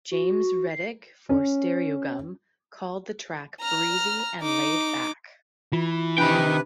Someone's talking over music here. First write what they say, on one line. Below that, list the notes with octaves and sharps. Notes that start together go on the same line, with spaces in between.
James Rettig for "Stereogum" called the track "breezy and laidback".
F#4
C7
C#4
A#5 F6
D#4 D6
E3 F4
C3 D#3 D4 B4 G5 B5